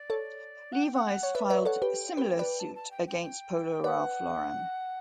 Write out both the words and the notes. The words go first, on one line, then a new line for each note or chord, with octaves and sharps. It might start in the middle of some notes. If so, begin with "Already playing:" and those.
Levi's filed similar suit against Polo Ralph Lauren.
Already playing: D5
A4 C#5
F#5
G5
F#5
C#5
B4 D5 E5
B4 D5 E5
A4 C#5 F#5
G4 B4 G5
G4 B4
B4 D5
A5
A5
G5
G5
G5
B4 D5 F#5